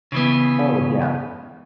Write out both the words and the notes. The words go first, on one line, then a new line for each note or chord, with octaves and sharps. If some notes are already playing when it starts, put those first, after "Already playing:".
Oh, yeah.
C#3 E3 B3